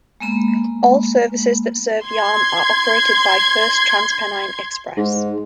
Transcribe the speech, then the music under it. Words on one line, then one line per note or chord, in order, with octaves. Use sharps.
All services that serve Yarm are operated by First TransPennine Express.
G#3 A#3 B3 B5
C6 G#6
G#2